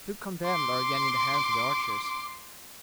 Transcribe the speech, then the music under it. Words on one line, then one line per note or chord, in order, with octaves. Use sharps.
The two condemned are again in the hands of the archers.
C6 D6